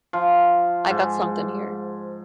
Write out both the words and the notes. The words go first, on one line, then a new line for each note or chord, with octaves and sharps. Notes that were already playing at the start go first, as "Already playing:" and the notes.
I got somethin' here.
F3
G#2